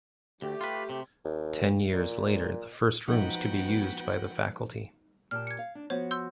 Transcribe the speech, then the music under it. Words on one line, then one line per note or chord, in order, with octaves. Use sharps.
Ten years later, the first rooms could be used by the faculty.
D2 A3 G4
F4 B4
C3
D#2
A#2
F3 B3 D#4 F#4 B4 F#5 G5
A#2 G4 A5 F6
G#6 C#7
F5
D4
F3 B3 F#4 C5 C#5
C6 E6 G6